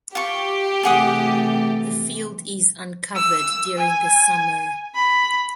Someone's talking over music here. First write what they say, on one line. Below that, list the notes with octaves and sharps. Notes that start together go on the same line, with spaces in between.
The field is uncovered during the summer.
F4 G4 C#6
C3 E3 A3 G#4 F#5 D#6
E6
G#5
B5